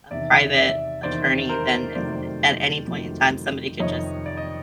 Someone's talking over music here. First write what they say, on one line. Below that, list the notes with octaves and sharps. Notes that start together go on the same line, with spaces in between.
a private attorney, then a a at any point in time, somebody could just
E2 C3 D#3 D5 E5
D5 E5
E2 C3 D#3 C5 D5
A#4 C5
F2 C3 D#3 F#3 A3 C5 D5
F2 C3 D#3 F#3 A3
F2 C3 D#3 C#5 D#5
D5
D#5